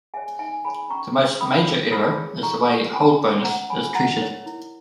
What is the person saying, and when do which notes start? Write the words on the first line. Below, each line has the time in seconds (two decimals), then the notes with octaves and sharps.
The most major error is the way Hold Bonus is treated.
0.14 G#4 C#5 E5 G#5
0.39 D#4 E5 G#5
0.65 G#4 C#5 G#5 B5
0.90 C#4 A#5 C#6
1.15 G#4 C#5
1.41 C#4 B5 D#6
1.66 G#4 C#5
1.91 E4 B5 D#6
2.17 G#4 C#5
2.43 E4 A#5 C#6
2.68 G#4 C#5
2.93 C#4 G#5 B5
3.19 G#4 C#5
3.44 C#4 F#5 A#5
3.70 G#4 C#5 G#5 B5
3.95 E4 F#5 A#5
4.21 A#4 C#5
4.46 E4